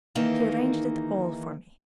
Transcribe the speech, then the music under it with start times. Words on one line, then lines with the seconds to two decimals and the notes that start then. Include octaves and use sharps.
She arranged it all for me.
0.15 D#3 E3 A#3 D#4 G#4